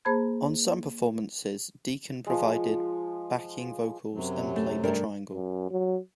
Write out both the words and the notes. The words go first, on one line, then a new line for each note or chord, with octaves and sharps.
On some performances Deacon provided backing vocals and played the triangle.
A#3 G#4 C5 A5 B5 G#6
F3 G#3
F#2 C3 F#3
A3
G2 D4 A#4
F#2
F#3